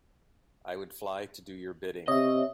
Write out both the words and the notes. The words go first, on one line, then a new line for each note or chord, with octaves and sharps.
I would fly to do your bidding.
C3 C#5 D#5 E5 D#6